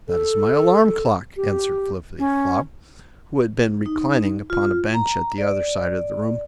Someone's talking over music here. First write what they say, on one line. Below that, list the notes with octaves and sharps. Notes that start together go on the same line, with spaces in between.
"That is my alarm clock," answered Flippityflop, who had been reclining upon a bench at the other side of the room.
A4
G4
C#4
D#4
F4
A#5
D5